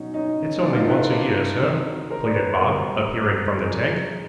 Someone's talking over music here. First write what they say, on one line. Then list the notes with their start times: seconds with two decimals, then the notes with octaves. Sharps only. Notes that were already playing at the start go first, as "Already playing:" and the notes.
'It's only once a year, sir,' pleaded Bob, appearing from the tank.
Already playing: B2 F#3 C#4 D#4
0.14 C#4 D#4
0.63 A#2 F#3 D4 E4
0.75 D#4 F4
0.88 A4 B4
1.01 A#4 C5
1.62 C3 D#3 F#3
2.10 A#4 C5
2.26 D5
2.35 B4 C#5
2.59 B2 G3 A#4 C5
3.57 C3 F3 G#4 A#4